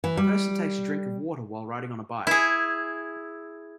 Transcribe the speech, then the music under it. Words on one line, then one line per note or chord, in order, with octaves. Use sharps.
A person takes a drink of water while riding on a bike.
E3
G3
E4 G#4